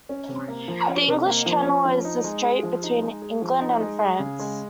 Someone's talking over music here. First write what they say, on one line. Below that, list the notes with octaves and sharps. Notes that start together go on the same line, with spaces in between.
The English Channel is the strait between England and France.
C#4
C3
A#3
F3
C#4
C3
A#3
F3
C#4
F3
D#4
G#3
G#4
F3
D#4
G#3
G#4
F3
D#4
G#3
G#4
C#3
G#3